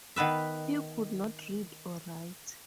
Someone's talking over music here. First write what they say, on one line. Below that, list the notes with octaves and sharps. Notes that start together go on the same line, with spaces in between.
He could not read or write.
D#3 B3 B4 E5